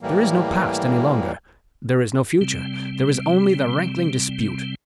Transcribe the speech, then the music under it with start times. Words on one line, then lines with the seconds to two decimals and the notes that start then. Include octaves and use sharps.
There is no past any longer, there is no future, there is only the rankling dispute.
0.01 A2 E3 G3 A#3
2.41 C3 G3 C4